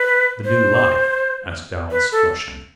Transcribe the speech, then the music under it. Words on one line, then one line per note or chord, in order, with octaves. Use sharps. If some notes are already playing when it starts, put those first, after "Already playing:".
"The new life?" asked Alice, flushing.
Already playing: B4
C5
B4
A4